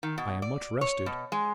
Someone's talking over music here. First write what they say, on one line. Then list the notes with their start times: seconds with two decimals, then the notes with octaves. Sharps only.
I am much rested.
0.03 D#3
0.18 B2
0.42 D5
0.81 C#5
1.06 B2
1.32 G#3